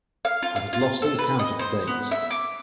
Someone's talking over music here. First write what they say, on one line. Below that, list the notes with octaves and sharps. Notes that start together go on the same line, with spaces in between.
I had lost all count of the days.
F5
F4
F5
F4
A4
B4
D#5
C5
B3
E5
D6